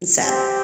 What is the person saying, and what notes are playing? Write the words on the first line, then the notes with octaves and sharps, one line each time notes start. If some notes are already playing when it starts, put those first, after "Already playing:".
It's sad.
C4 G4